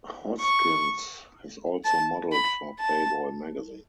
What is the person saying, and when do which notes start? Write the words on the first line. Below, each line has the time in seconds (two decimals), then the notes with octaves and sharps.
Hoskins has also modeled for "Playboy" magazine.
0.41 C#6
1.85 A5
2.32 B5
2.80 A5